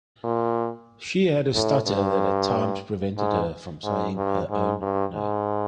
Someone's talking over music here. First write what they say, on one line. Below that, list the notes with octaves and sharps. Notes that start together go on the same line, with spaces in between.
She had a stutter that at times prevented her from saying her own name.
A#2
A2
G2
G#2
G#2
G2
G#2
G2
G#2